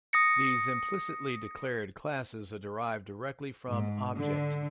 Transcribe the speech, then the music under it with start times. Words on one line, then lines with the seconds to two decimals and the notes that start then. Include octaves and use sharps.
These implicitly-declared classes are derived directly from "object".
0.13 D#6 A#6 C#7
3.68 G#2
4.16 D3